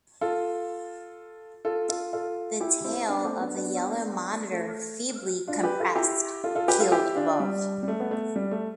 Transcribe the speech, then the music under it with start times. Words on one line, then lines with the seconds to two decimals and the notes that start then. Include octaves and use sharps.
The tail of the yellow monitor feebly compressed, keeled above.
0.21 F4 A4
1.65 F4 A4
1.89 F4 A4
2.13 F4 A4
2.60 E4 G4
2.84 C4 E4
3.08 B3 D4
3.24 A3 C4
3.40 B3 D4
3.56 B3 D4
4.52 A3
5.48 D4 F4
5.63 G4 B4
5.80 F4 A4
5.96 E4 G4
6.44 F4 A4
6.55 F4 A4
6.68 G4 B4
6.80 F4 A4
6.91 E4 G4
7.15 D4 F4
7.40 G3
7.83 G3
7.88 A3
8.00 B3
8.11 A3
8.36 G3
8.51 A3